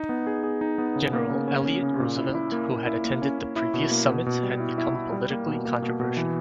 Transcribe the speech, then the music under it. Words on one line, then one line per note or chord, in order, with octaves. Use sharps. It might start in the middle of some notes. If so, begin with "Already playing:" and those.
General Elliott Roosevelt, who had attended the previous summits, had become politically controversial.
Already playing: D#4
B3
G#4
G#4
D#4
B3
C#3
A#3
C#3
C#4
C#4
C#3
A#2
E4
E4
A#3
A#3
E4
A#3
C#4
C#4
E4
B2
A#3
B2
B2
G3
E4
E4
E4
G3
A#3
B2
A#3
B2
B2
E3